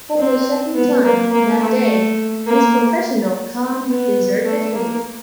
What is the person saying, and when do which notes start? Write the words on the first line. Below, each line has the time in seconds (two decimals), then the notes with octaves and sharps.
For the second time that day his professional calm deserted him.
0.18 C4
0.75 B3
1.04 A#3
1.32 A#3
1.60 A3
2.46 A#3
3.88 B3
4.45 A3
4.74 A#3